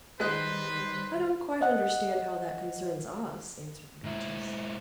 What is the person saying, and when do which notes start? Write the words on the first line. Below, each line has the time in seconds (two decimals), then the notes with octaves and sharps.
"I don't quite understand how that concerns us," answered the Beeches.
0.20 D#3 G3 G#3 B4 C5 D#5 F#6
1.61 D#5 F#5
4.04 G#2 E4